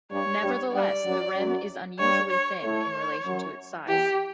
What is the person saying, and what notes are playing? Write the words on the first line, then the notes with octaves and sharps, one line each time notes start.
Nevertheless, the rim is unusually thin in relation to its size.
G2 G3 C#5
G2 G3
G2 G3 D5
F#2 F#3
F#2 F#3
G2 G3 C#5
C#5
A2 A3 C#5
F#2 F#3
E2 E3 G4